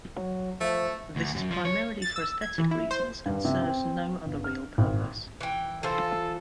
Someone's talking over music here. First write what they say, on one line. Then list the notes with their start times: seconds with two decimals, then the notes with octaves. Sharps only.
This is primarily for aesthetic reasons and serves no other real purpose.
0.17 F#3
0.61 F3 A3
1.16 D2
1.35 F#2
1.51 F3
1.65 C#5
2.02 A6
2.16 E6
2.42 G#6
2.58 E3
2.71 E4
2.91 C5
3.26 G2
3.45 C3
3.62 C4
4.26 G1
4.44 F6
4.78 G#1
5.41 E3 G5
5.83 E3 F4 A4 C5